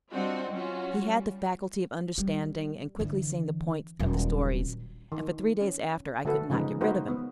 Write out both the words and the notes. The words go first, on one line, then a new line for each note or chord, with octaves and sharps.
He had the faculty of understanding and quickly seeing the point of the stories; and for three days after I could not get rid of him.
G3 C4 D4 F4 F#4 D#5
F#3 C#4 F4 F#4
G3
G3
D3 E3
D#1 F#3
D#3
C#4
D3 A3 F#4 A4 B4
C#3 F3 G#3 D#4 B4
G#3 A#3 D#4 F#4 B4 C5
B3